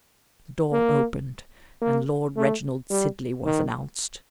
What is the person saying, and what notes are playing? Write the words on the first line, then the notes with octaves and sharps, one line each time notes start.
The door opened and Lord Reginald Sidley was announced.
A#3
A#3
A3
G3
D#3